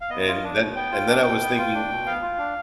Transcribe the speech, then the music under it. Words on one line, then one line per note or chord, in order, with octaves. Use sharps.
And then and then I was thinking and
F5
B3 D#5
F4
D4
B2
B3 G5
F4
D4
B2
B3
F4
D4
B2
B3 F5
F4
D4